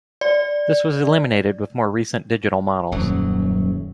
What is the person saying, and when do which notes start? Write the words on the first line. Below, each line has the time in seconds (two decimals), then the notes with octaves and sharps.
This was eliminated with more recent digital models.
0.21 D5
2.92 D#1 F#2 F#3